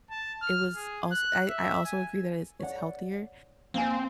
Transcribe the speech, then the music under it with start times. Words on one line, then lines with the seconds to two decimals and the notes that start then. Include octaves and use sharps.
it was als I I also agree that it's it's healthier,
0.11 A5
0.42 F6
0.76 G#4
1.12 F#6
1.49 E5
1.85 G#5
2.59 C#5 D5 F#5
3.74 A#3 C4 F5 G#5